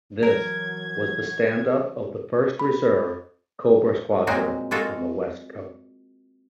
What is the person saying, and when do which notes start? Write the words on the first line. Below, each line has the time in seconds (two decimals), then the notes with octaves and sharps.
This was the standup of the first Reserve Cobra Squadron on the west coast.
0.23 E3 F#3 A#4 G#6
2.59 B5
4.27 A#2 F#3 G#3 A#3 C4 F#4
4.71 G#3 A#3 F4 F#4 A4